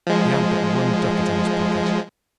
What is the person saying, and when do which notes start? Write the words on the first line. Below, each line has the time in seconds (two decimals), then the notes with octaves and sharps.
He had but one ducat in his pocket.
0.07 F3 G#3